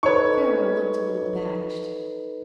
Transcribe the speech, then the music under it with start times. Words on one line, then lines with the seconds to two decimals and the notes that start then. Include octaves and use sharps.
Pharaoh looked a little abashed.
0.03 D#4 A4 B4 C#5 C#6